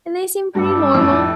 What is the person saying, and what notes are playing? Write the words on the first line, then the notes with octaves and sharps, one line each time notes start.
and they seemed pretty normal,
A1 G2 G3 A4
F2 A2